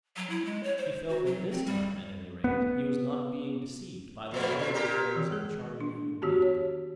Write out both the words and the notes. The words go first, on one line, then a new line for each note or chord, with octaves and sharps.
He felt that this time at any rate he was not being deceived by the outward shows of a charming human being.
F#3
E4
G#3
C#5
C5
F#4
F#3
C4
G3
B3
F2 A#2
C#3 C4
A#2 G4 A#4
D#3 E3
G#3 G#4
D4
D#3 B3 F#4 G4 A5
C#5